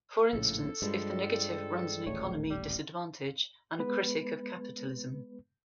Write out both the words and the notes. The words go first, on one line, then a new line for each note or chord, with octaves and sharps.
For instance if the negative runs an economy disadvantage and a kritik of capitalism.
A#1 A2 C#3 A4
G2 F3 G3 G#3
D#1 A1 A3 C#5
G3
G#3 B3 B4